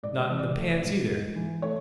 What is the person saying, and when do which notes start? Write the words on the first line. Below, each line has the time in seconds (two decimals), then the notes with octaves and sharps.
Not in the pants, either?
0.03 G#2 D5
0.20 D5
0.29 E3
0.39 D5
0.56 A3
0.83 G#2
1.09 G#2
1.36 E3
1.62 A3 C#5